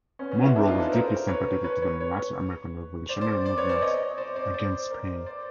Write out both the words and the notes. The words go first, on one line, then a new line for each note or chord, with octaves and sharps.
Monroe was deeply sympathetic to the Latin American revolutionary movements against Spain.
B3 C#4
B3 C#4
E4 F#4
D4 E4
D#4 F4
A4 B4
A#4 C5
B4 C#5
B4 C#5
B4 C#5
B4 C#5
C5 D5
C5 D5
C5 D5
B4 C#5
C5 D5
C#5 D#5
C5 D5
C5 D5
C5 D5
A#4 C5
C5 D5